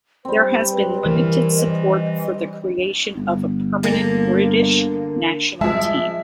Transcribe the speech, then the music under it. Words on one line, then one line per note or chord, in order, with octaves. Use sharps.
There has been limited support for the creation of a permanent British national team.
G3 C4 C5
B4
E3 A#4
D#5
G1
D3 A#3
F3 G#3 E5 A5